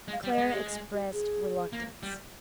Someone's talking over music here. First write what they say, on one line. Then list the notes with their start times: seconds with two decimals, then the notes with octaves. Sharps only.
Clara expressed reluctance.
0.08 G#3
0.13 F5
0.24 G3
0.33 D#5
0.38 G#3
0.53 G4
0.93 G4
1.13 G#4
1.73 A#3
2.03 G3